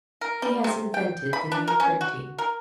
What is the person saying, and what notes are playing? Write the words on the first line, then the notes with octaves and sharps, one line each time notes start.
He has invented the new printing.
A#4
G3
C3
G5
B5
D4
A#4
C#4
F#4
A#4